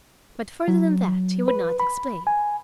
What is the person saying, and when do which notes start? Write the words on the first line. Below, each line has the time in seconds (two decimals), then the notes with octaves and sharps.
But further than that he would not explain.
0.68 F#3
1.48 B4
1.80 B5
2.27 G#5